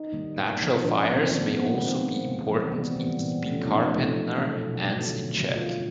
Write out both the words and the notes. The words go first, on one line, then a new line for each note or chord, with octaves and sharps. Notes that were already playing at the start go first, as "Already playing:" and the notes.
Natural fires may also be important in keeping carpenter ants in check.
Already playing: D#4
D#3 G3 A#3
A#2
F3 A#3
A#2 D4
C#4
F3 A#3
C4
D#3 B3
B3
G#3 B3
A#3
D#3 C4
G#3
C3
E3 G3
C3 B3
C4
E3 G3 B3
A#2 B3
F3 A3
C#4
A#2 D#4
F3 A3
B2
F#3 A3
B2
F#3 A3
D3
F#3 A3
D3 F4